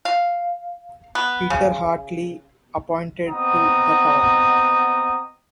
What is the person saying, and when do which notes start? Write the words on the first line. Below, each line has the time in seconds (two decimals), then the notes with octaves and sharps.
Peter Hartley appointed to the town.
0.05 F5
1.15 B3
1.50 C#3
3.27 B3 C4 D#5 F#5 A#5 D#6